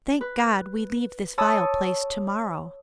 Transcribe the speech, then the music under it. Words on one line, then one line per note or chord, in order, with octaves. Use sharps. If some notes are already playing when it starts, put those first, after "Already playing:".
Thank God, we leave this vile place tomorrow.
B4
C#5 A5 B5 D#6 E6